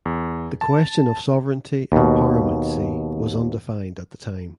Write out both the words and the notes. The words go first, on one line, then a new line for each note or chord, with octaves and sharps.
The question of sovereignty and paramountcy was undefined at the time.
E2
A5
D#2 B2